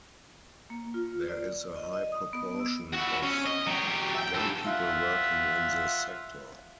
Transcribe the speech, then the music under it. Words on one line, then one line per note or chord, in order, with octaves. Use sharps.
There is a high proportion of young people working in the sector.
A#3
F4
D5
D#5
D#5
D#6
B3
E6
E4 F#4
C#4
D#5
F#3 G4
E5 G5
G2 A4
F4 E5 F#5